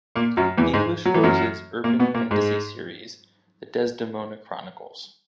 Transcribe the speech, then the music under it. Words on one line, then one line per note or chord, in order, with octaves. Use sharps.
English-Rose's urban fantasy series, The Desdemona Chronicles.
A#2 A#3
F#2 F#3
E2 E3
G#2 G#3
F#3
E3
F#2 F#3
A#2 A#3
B2 B3
A#2 A#3
G#2 G#3